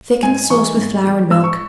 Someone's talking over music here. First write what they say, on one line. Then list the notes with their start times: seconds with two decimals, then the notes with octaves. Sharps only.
Thicken the sauce with flour and milk.
0.23 G#2 G#5
0.50 E3 G#3 C#6
0.77 G#2
1.04 E3 G#3
1.30 G#2 E6
1.44 C#6